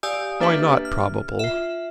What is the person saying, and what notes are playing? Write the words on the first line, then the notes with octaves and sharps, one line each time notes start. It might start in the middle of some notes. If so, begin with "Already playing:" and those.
"Why not probable?"
G4 D5 F5 G#5 D#6 E6
A#3 D4 G4 B4 E5
F6
F4 E5